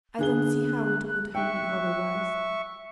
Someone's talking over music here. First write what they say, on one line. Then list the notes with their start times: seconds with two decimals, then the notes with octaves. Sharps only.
I don't see how it could have been otherwise.
0.18 D3 G#4 F#6 G7
1.35 E5 G5 C#6